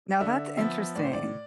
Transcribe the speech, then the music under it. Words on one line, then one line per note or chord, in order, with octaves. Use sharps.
Now that's interesting.
D3 E5
F3 B3 E5
A2 D5
C5
D5